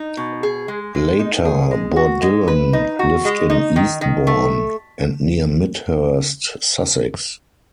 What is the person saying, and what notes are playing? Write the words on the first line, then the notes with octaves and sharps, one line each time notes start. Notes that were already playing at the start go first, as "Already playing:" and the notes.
Later Bourdillon lived in Eastbourne, and near Midhurst, Sussex.
Already playing: D#4
B2
G#4
G#3
G#3
D#4
G#4
G#3
F#4
G#3
B4
D#4
F#4
G#3
D#4
D#3
D#3
A3